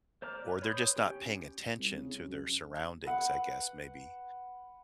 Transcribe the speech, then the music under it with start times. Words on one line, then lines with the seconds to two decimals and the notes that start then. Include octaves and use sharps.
or they're just not paying attention to their surroundings, I guess, maybe.
0.22 C5 D5 A#5 D6 F6
0.47 B4
0.62 C#5 B5 C6 D#6 G6
0.96 C#4 G4
1.78 C2
1.98 C#3
2.27 F#2
3.04 B4 F#5